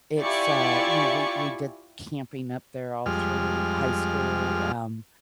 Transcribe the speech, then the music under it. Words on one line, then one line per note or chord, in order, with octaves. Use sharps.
it's, uh you know, we we did camping up there all through high school, um,
E4 F4 G4 D5 G#5 C#6
F2 G3 G#3 F6